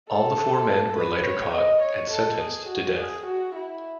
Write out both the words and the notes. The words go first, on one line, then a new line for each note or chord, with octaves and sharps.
All the four men were later caught and sentenced to death.
A4
B4
C#5
D#5
C#5
A4
G#4
F#4
G#4
F#4
E4